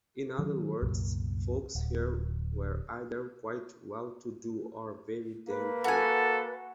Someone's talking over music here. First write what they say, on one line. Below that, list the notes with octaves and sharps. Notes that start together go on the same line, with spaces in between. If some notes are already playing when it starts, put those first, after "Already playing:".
In other words, folks here were either quite well-to-do or very damn poor.
D#3 F#3
C2 F#2 A#2
D1
A#3 B4
F#4 A4 G#5